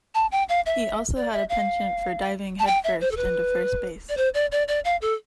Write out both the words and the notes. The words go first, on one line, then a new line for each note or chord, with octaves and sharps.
He also had a penchant for diving headfirst into first base.
A5
G5
F5
E5
D5
E5
F5
A5
G5
E5
C5
A4
B4
D5
C5
D5
D5
D5
F5
A4